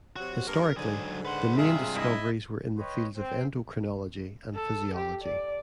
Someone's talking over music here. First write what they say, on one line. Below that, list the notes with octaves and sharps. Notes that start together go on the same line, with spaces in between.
Historically, the main discoveries were in the fields of endocrinology and physiology.
C3 F#3 F#4
G2 A#3 A#4
G#2 D3 F#3 G#4
B4 F#5 C6
G2 C3 G#3 F4 G#4 E5
E4 D#5
B4 C#5 D#5 G5 C6 C#6
C4
A4
G4
D5